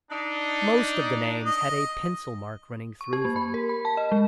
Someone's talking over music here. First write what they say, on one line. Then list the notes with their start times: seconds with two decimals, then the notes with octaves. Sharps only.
Most of the names had a pencil mark running through them.
0.10 D4 D#4
1.46 D#5
3.01 C#6
3.13 G4
3.25 A#3
3.36 B5
3.54 A#4
3.69 B5
3.85 A5
3.97 D#5
4.12 G#3